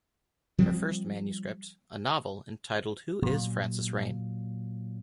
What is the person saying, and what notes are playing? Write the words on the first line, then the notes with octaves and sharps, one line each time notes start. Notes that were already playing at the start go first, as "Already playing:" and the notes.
Her first manuscript, a novel entitled Who is Frances Rain?
F3 G3 C4
A#2 F#3